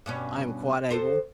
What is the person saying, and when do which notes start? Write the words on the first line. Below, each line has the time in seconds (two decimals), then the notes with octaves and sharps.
"I am quite able."
0.06 G2 B2 C#4
0.90 F2 A4 C5